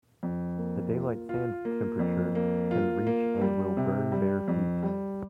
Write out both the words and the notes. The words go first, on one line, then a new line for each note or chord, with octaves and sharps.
The daylight sand temperature can reach and will burn bare feet.
F2
A#3
F4
F4
A#3
F2
A#3
F4
A#3
G3
C3
G3
F2
G3